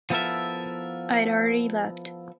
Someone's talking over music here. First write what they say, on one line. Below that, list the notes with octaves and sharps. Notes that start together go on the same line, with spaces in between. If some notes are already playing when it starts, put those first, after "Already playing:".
I’d already left.
F3 B3 E4 A4 A#4 E5